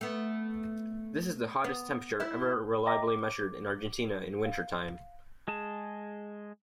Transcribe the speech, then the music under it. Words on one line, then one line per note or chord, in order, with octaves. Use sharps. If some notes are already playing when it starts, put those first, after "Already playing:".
This is the hottest temperature ever reliably measured in Argentina in winter time.
A3 B3
B3
E4 E5
D#5 E5 G5 A#5 D6 A#6
D6
F5
G#3 G#4 A5